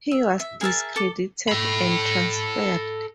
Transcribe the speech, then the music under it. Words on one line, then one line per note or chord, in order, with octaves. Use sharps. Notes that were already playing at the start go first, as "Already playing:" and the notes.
He was discredited and transferred.
E5
E5
G#4 A#4 E5 A5
A4 D6
A4 B5